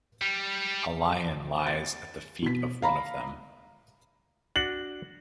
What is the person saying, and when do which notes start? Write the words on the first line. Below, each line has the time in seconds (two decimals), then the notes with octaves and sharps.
A lion lies at the feet of one of them.
0.21 G3
1.66 A6
2.42 B2 B6
2.82 F5 A#5 B5
4.56 D4 F#4 F#7